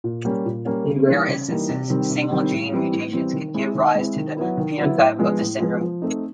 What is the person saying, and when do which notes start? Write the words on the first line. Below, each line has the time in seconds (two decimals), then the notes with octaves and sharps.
In rare instances, single-gene mutations can give rise to the phenotype of the syndrome.
0.04 A#2
0.25 G3 A#3 C#4
0.46 A#2
0.66 G3 A#3 C#4
0.87 C#3
1.07 E3 G3 A#3 D#4
1.28 C#3
1.48 E3 G3 A#3 D#4
1.69 C3
1.90 D#3 G3 C4
2.10 C3
2.31 D#3 G3 C4
2.51 A2
2.72 E3 G3 C4
2.92 A2
3.13 E3 G3 C4
3.33 D#3
3.54 G#3 C4 E4
3.75 D#3
3.95 G#3 C4 E4
4.16 D#3
4.37 F#3 B3 E4
4.58 D#3
4.78 F#3 B3 E4
4.99 A2
5.19 F3 G#3 B3
5.40 A2
5.60 F3 G#3 B3
5.81 F3
6.02 A3 C4 D#4